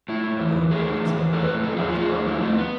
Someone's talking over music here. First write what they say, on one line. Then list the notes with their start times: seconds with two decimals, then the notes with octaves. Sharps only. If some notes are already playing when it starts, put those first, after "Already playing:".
at the end of the day, if it's not there, highest priority,
0.09 A2 E4
0.24 A2
0.41 E3
0.56 E3
0.71 A2 G#4
0.86 A2
1.02 E3
1.18 E3
1.33 A2 A4
1.43 B4
1.49 A2
1.64 F3 A4
1.77 F3 G#4
1.89 F4
1.96 A2
2.01 G#4
2.11 A2
2.26 F3 E4
2.41 F3 A3
2.57 B3